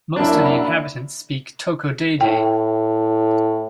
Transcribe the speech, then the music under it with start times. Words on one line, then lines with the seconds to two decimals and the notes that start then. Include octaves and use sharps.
Most of the inhabitants speak Tocodede.
0.16 F#2 A#3 D4 E4
2.21 A2 G5